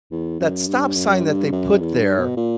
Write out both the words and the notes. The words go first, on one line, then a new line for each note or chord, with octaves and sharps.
that stop sign that they put there
E2
F#2
G2
F#2
G2
F#2
E2
G2
B2
A#2